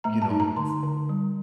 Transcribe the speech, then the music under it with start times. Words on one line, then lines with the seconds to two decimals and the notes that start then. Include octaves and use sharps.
you know, f
0.04 A3 A#5
0.22 A5
0.30 D#4
0.40 A#5
0.56 D3 C6
0.83 D3
1.09 G3